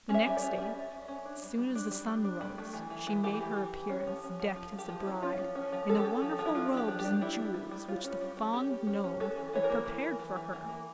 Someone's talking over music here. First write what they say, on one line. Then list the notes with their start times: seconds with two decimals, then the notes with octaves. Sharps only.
The next day, as soon as the sun rose, she made her appearance decked as a bride, in the wonderful robes and jewels which the fond gnome had prepared for her.
0.09 C#4
0.14 E5
0.26 G3
0.37 D5
0.42 C#4
0.58 C#4 E5
0.75 C#4
0.92 C#4
1.08 C#4
1.25 D4
1.42 G3
1.58 G3
1.75 D4
1.91 G3
2.08 D4
2.25 D4
2.41 G3
2.58 A3
2.74 E3
2.90 E3
3.07 E3
3.24 E3 G4
3.40 E3
3.56 E3
3.73 E3
3.90 C#4
4.07 F3
4.24 C#4
4.40 F3
4.56 F3 F4
4.73 F3
4.79 G4
4.89 F3
5.00 E4
5.06 C#4
5.23 C#4 F4
5.39 F3
5.55 C#4
5.72 F3
5.89 C#4 A4
5.98 G4
6.05 C#4 A4
6.22 F3
6.39 F3
6.45 E4
6.55 D4 F4
6.72 D4
6.77 G4
6.88 D4
6.99 G4
7.05 D4
7.21 G3 E4
7.37 G3
7.54 G3
7.71 G3
7.88 C#4 F4
8.04 C#4
8.21 G3
8.37 C#4
8.54 C#4 G4
8.70 G3
8.87 C#4
9.04 C#4
9.20 C#4 A4
9.37 E3
9.53 E3 C#5
9.64 A#4
9.70 A#3
9.86 E3
10.03 E3
10.19 E3
10.36 E3
10.53 E3
10.69 A#3